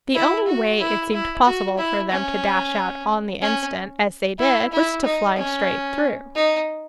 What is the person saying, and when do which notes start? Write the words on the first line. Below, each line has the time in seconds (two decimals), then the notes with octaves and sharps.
The only way it seemed possible for them to dash out on the instant, as they did, was to fly straight through.
0.14 E4
0.47 F#4
0.79 E4
1.13 E4
1.45 F#4
1.77 E4
2.10 C#4
3.41 C#4
4.39 E4
4.71 E4
5.04 D#4
5.36 C#4
6.35 D#4